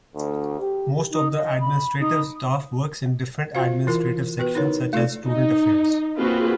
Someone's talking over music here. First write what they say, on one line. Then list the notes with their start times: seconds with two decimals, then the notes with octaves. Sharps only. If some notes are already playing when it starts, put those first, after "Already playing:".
Most of the administrative staff works in different administrative sections, such as Student Affairs.
0.16 D2
0.60 G4
1.11 D#4
1.33 D#5
1.60 B5
2.00 D#4
3.55 F4 F#4 C5 F5
3.87 E3 E4 F4 A#4
4.39 B3 F#4 B4
4.55 D#4 E4 A#4 C#5
4.93 A3 F4 A4 D5
5.26 D#4
6.18 A#3 C4 F4 F#4 G#4 B4